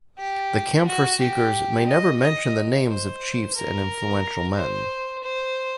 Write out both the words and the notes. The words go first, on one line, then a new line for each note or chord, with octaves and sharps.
The camphor-seekers may never mention the names of chiefs and influential men.
G4
F#4
G4
D#5
D#5
C5
A#4
C5
C5